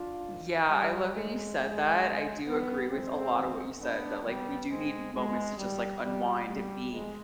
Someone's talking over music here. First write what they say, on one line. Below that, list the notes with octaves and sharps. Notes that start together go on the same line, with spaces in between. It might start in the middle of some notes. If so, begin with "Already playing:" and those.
Yeah, I love that you said that, I do agree with a lot of what you said that, like, we do need moments to just, like, unwind and be,
Already playing: D4 F4
G#2 D#3
F2 D3 G3
G2 D#3 G#3
F2 D3 G#3
F2 C3 D#3
G#2 D#3 G3 B3
F2 D#3 G#3 C4
F2 D#3
G#2 D#3 B3 D4
G#2 D#3 G3 B3
G#2 D#3 G#3 C4
F2 D3 G#3
G#2 D#3 G3
F2 D#3 G3
G#2 D#3 G3
F2 C3 D#3 G#3